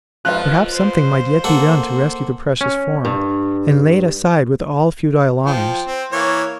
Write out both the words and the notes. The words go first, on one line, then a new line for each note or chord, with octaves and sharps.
Perhaps something might yet be done to rescue the precious form, and lay it aside with all futile honours.
F2 F3 F4 B4 F#6
C5
A#3 A4 F#5
C#4
G2
F3 G5
C4
E3 A#3 C#5